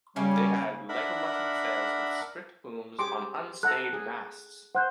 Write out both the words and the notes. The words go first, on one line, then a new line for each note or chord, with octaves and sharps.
They had leg-o-mutton sails with sprit booms on un-stayed masts.
C#3 G3 A#3 C#4
D4 A#4 E5 F#5 B5
G4 G#4 C6 D6
A4 F#5 A#5 F#6
G#4
C5 F#5 F#6 G6